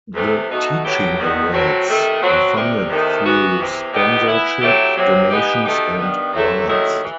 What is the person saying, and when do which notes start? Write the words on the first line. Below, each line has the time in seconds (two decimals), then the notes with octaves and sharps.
The Teaching Awards are funded through sponsorship, donations and grants.
0.14 E2 C3 E3 A3
0.49 B2 A3 D#4 F#4
0.83 A2 F#3 B3 E4 G4
1.18 E2 D#3 G3 B3 F#4
1.52 A2 F#3 C4 F#4
1.87 C3 D#3 A3
2.21 B2 F#3 C4 F#4
2.55 E2 C3 E3 G3 C4
2.89 E2 C3 D#3 A3 D#4
3.24 F#2 E3 B3 F#4
3.59 E2 C3 E3
3.93 A2 G3 B3 D#4 G4
4.27 E3 B3 E4
4.61 C3 F#3 A3 E4 G4
4.96 E2 C3 F#3
5.30 E3 B3 D#4 G4
5.64 B2 A3 D#4 G4
5.99 G2 D#3 G3 B3
6.33 C3 F#3 A3 E4
6.67 D#2 D#3 F#3 A3 E4
7.03 E3